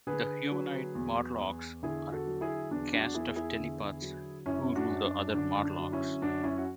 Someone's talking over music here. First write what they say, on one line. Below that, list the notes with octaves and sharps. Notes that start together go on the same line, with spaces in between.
The humanoid Morlocks are a caste of telepaths who rule the other Morlocks.
D3 G#4 B4
F#3
E2
E2
D3 E4 G#4
F#4 A4
F#3
E4 G#4
E2 D4
D4 F#4
E2 E4 G#4
E4 G#4
D3
F#3
F#2 C#4 E4
D4 F#4
F#2
D4
D3 D4
D4
F#3
C#4 E4
F#2 D4 F#4
C#4 E4
F#4